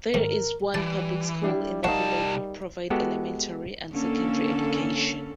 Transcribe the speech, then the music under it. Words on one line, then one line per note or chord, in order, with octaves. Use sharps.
There is one public school in the village which provide elementary and secondary education.
G#2 D#3 A#4
E3 G3 A5
G3 D4 E4
C2 G3 D#4 A#4 C#5 F5 F#5 A5
G#3 B3 F#4 G4 A4
D3 A#3 C#4 A4